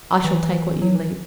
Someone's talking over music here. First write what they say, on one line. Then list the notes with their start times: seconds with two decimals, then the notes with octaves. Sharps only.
I shall take what you leave.
0.25 E3
0.82 F#3
0.95 E3